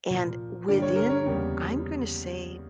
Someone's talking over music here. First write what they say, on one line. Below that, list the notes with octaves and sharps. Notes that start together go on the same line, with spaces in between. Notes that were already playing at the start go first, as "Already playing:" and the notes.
And within, I'm gonna say,
A#2 F3 A#3
G2 D3 G3 A#3 D5
C#5
A#4
C#5
E2 C#3 G3 A#3